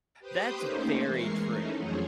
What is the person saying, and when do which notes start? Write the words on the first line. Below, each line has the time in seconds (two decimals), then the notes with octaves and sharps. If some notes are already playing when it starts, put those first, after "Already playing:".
That's very true.
0.19 G4 B4 C5 D#6 G6
0.54 A3 A#3 C#4 D#4 C5
1.03 E3 G#3 A#4 C#6 C7
1.44 E3 A3 C#4 D#4
1.75 F2 F3 F#3 G#4 C5 C#5